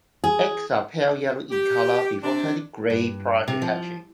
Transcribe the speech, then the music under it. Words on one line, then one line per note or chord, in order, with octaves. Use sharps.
Eggs are pale yellow in colour, before turning grey prior to hatching.
G#4
G4
C3 D4
G2
C3
F3